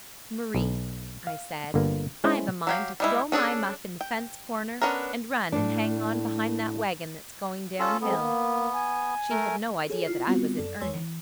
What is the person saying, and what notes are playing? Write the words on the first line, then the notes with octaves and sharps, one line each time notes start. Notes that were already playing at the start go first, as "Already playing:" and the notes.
'Marie,' I said, 'I've a mind to throw my muff in the fence-corner and run and hang on behind that wagon that's going down-hill.' She had no idea that I was in earnest.
B1
F5
G1 D3 A#3
G#3 C#4 E4 C5 G#5
F#3 G4 F5
G3 G#3 E4
C#4 D4 G#4 A4
G5
B3 C#4 D4 A#4
A2 D4
C#4 F4 A4
G#3 B3 C4 A4
A#3
G#5
A3 A#4
G#4 A4 C#5 G#5
E4 F4 F6 C7
G3 B3 C4 F4 F#4
F#2 A4 D5
E2 G#3 C#5 G#5 C6 E6
E3